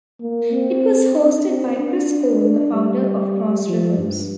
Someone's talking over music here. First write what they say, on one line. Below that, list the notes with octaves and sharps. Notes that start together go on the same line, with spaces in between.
It was hosted by Chris Cole, the founder of Cross Rhythms.
A#3
C4
D4
C4
D4
D4
G3
F3
G2